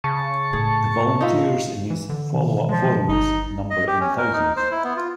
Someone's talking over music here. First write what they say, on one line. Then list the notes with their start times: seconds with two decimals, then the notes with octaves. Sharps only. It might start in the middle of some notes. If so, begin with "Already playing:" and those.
The volunteers in these "Follow-up Forums" number in the thousands.
0.04 C#3 A5 C#6
0.53 A2 G#4
1.21 D#4 F4 E5
1.90 E3
2.09 D3
2.33 B2 D#3 E3
2.69 F3 G#3
3.09 G1 D#4
3.70 D#5
3.87 G4
4.00 C#4
4.18 A#4
4.33 D#4
4.57 C5
4.71 E4
4.84 B3
4.97 F4